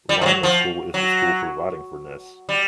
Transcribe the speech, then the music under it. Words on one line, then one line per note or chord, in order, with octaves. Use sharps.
Lionel School is the school providing for Ness.
G3
F3
F#3
F3
F#3
G3